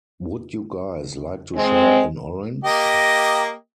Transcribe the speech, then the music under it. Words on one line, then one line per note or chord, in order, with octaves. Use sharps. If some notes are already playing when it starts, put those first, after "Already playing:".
Would you guys like to share an orange?
G#3 C4
A#3 G4 D#5